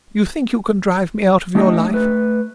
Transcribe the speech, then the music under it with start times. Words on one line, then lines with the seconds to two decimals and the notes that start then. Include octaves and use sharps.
You think you can drive me out of your life.
1.55 A3 D4 D#4 G4 B4 D#5
1.91 A3 B4